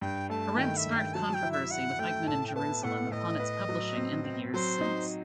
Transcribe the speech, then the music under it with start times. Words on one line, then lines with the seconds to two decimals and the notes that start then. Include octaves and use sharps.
Arendt sparked controversy with "Eichmann in Jerusalem" upon its publishing and the years since.
0.01 G2 G5
0.30 A3 A5
0.58 D#3 G5
0.77 E5
0.86 G2
0.96 G5
1.14 F#3 A5
1.34 G5
1.42 E4
1.52 E5
1.71 E4 F#5
1.99 A3 G5
2.27 A2 A5
2.47 G5
2.55 B3 A5
2.83 A2 F#5
3.11 A2 D#5
3.40 B4
3.69 F#3
3.97 C4
4.24 C4
4.53 F#3 C5
4.81 D#4